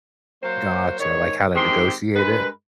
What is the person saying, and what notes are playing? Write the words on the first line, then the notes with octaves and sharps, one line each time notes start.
Gotcha. Like how to negotiate it?
F#3 A#3 A#4 C5
G#2 D#3 C#5
G#2 D#3 G#3 C4 G4 C6
G2 G#3 A#4 B4